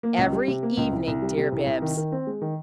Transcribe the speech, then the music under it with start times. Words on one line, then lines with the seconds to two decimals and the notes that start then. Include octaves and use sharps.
"Every evening, dear Bibbs!"
0.03 A#3
0.18 C#2
0.33 G3
0.48 C3
0.63 A#3
0.77 C#2
0.93 C2
1.07 C2
1.22 G3
1.37 C3
1.52 C2
1.67 C2
1.82 D#3
1.97 D#3
2.12 C4
2.27 G#3
2.42 D#3